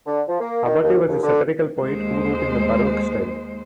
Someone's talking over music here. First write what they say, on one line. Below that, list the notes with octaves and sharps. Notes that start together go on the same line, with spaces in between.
Abati was a satirical poet who wrote in the Baroque style.
D3
F3
A#3
D#3
D#2
D#2
D3
D#2 G#3 C5